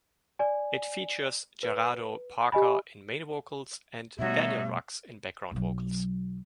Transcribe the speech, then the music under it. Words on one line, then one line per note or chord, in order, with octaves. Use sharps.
It features Gerardo Parker in main vocals and Daniel Rucks in background vocals.
D5 G#5
B4
G4 D#5 G#5 B5
B2 G3 A3 B3 D#4 F#4 C#5 E5
B1 F#3